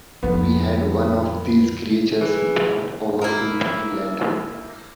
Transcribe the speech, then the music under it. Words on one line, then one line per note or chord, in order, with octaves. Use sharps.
We had one of these creatures brought over into England.
F2 D3 B3
E3 G#4
A#3 E4